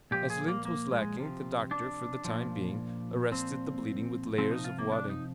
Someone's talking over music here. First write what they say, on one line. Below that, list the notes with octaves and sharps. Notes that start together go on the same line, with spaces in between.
As lint was lacking, the doctor, for the time being, arrested the bleeding with layers of wadding.
A#2 F3 G4
G#4
A#3
A#3
G#3
C3 F3
D4
A#2 F3
A#2 F3 C4
C3 F3 C4
D#4
F4
A#3
D4
D#4